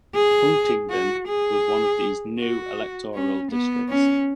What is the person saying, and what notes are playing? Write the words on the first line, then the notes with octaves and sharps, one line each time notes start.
Huntingdon was one of those new electoral districts.
G#4
F#4
G#4
F#4
C#4
B3
C#4